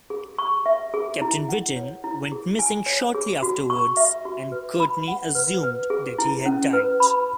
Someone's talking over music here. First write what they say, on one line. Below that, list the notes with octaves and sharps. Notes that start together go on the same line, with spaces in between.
Captain Britain went missing shortly afterwards and Courtney assumed that he had died.
G#4
C#6
E5
G#4
E4
F#5
C#5
E4
G#4
G#5
C#5
G#4
F#4
C#6
E5
F#4
B4
B5
F#5
B4
B4
G#4
E4
C#4
B4
B5